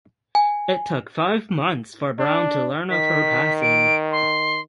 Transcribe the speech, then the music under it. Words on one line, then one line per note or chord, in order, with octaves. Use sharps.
It took five months for Brown to learn of her passing.
G#5
D4
D#3 B6
D7
C6